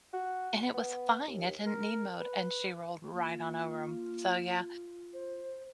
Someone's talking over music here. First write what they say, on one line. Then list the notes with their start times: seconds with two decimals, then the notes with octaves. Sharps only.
And it was fine, it didn't need mowed, and she rolled right on over 'em. So, yeah,
0.13 F#4
0.74 B3
1.27 D#2
1.66 A#4
2.20 B4
3.12 A#3 F4
5.13 C5